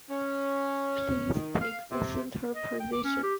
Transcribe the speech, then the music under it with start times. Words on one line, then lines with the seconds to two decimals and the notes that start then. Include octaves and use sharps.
Please take the centre position.
0.10 C#4
1.33 D#3
1.60 F5
1.91 C3
2.54 D#5
2.80 G5
2.93 D6
3.04 C#4
3.23 G4